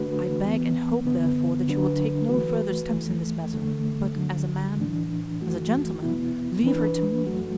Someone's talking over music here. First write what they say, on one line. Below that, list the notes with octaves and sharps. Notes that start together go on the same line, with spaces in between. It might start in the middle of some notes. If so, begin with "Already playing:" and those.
I beg and hope, therefore, that you will take no further steps in this matter, but as a man, as a gentleman, leave her to me.
Already playing: D3 A3 D4 F#4 B4
E2 E3 B3
F#2 D3 B3
D2 D3 F#3 D4 B4
E3 A3 F#4 B4
E2 E3 A3
E2 D3 A3
D2 D3 F#3
A2 E3 D4
F#2 E3 A3 F#4
E2 B2 B3 E4
E3 D4 B4
F#2 F#3 A3 F#4